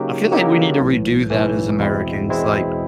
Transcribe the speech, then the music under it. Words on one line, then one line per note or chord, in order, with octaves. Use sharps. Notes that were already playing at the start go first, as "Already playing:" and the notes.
I feel like we need to redo that as Americans. Like,
Already playing: C#3 F#3 A#3 D#4 G4
C#3 F#3 A#3 D#4 G4
B1 A2 E3
B1 A2 E3
E2 B2 G#3 C4 E4
E2 B2 G#3 C4 E4